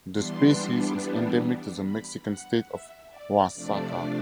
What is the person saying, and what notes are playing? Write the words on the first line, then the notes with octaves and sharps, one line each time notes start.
The species is endemic to the Mexican state of Oaxaca.
E3 G3 B3 D4 C6
B5
F#5
E5
D5
C3 F3 A3 D4 D5